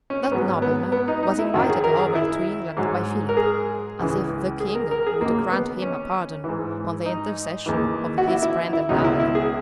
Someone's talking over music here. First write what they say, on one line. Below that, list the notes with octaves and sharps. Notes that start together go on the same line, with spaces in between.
That nobleman was invited over to England by Philip; as if the king would grant him a pardon, on the intercession of his friend and ally.
C#4
C#4
G#2 F#3 B3
B3
B3
D#4
D#4
E4
F#2 D#3 F#3 F#4
G#4
A#4
G#4
E4
G#2 F#3
A#4
G#4
C#2 C#3 E3
G#4
A#4
A#4
G#4
D#2 C#3 F#3 A#3
B3
C#4
G#2 E3
D#4
D#2 C#3 E3
F#4
E4
E4
E4
C#2 B2 F#3 D#4
E4
E4
G#4